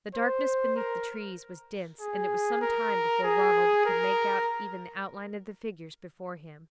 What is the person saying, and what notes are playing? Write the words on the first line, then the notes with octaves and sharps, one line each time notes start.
The darkness beneath the trees was dense, and it was some time before Ronald could make out even the outline of the figures before him.
C5
A#4
G#4
A#4
G#4
A#4